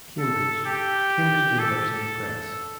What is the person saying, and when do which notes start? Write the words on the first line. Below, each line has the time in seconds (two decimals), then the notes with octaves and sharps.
Cambridge: Cambridge University Press.
0.19 A4
0.66 G4
1.59 A4